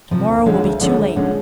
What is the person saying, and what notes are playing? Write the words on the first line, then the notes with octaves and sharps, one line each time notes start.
"To-morrow will be too late."
C3 F3
D2
D3 F3 G#3 C#4
D2
D3 F3 G#3 C#4
D2
D3 F3 G#3 C#4